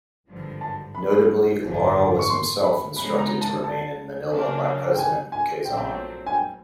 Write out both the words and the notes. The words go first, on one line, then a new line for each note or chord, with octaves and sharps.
Notably, Laurel was himself instructed to remain in Manila by President Quezon.
G#1 G2 D3 F3
A5
B5
G#1 F#2 D3 F3
C#6
C6
B5
C#3 F3 G#3 B3 D#4 B5
A#5
A5
A5
C#3 F#3 A#3 D4
G5
G#5
G#5
A#1 A#2 F#3 A3 C4 G5
G#5
G5